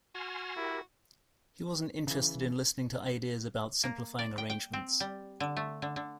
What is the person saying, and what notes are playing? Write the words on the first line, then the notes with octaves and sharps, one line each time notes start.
He wasn't interested in listening to ideas about simplifying arrangements.
F#4 G#5 C6 F6
E4 G4 A#4
C#3 E3
A#3
D5
G5
G5
C4
G3
D3
A3
D3
D3